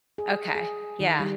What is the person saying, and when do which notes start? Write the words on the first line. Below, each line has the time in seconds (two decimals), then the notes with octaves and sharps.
Okay. Yeah.
0.18 G#4
0.55 G#4
1.00 D#3
1.20 G3